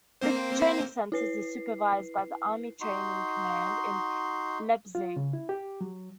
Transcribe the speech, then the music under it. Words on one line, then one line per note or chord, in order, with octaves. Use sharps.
The training centers are supervised by the Army Training Command in Leipzig.
A#3 C4 C5
E4 B4 C7
D#4 F#4 C6
F4
C#3
E4
G4
F#3